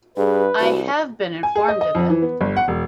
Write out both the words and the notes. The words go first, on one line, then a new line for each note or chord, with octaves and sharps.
I have been informed of it.
G2 G#4 B4
C2 F#4
G#5
G#4
D#5
D#5
F2
E3
B3
G1
F#5
E1